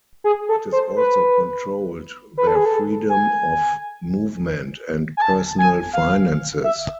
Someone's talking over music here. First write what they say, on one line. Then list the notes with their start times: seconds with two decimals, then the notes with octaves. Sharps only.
It also controlled their freedom of movement and personal finances.
0.24 G#4
0.49 A4
0.72 C5
0.96 B4
2.38 B4
2.47 A4
2.55 G#4
2.66 A4
3.09 G#5
5.17 G#5
5.22 A5
5.58 G#5
5.93 F5
6.64 E5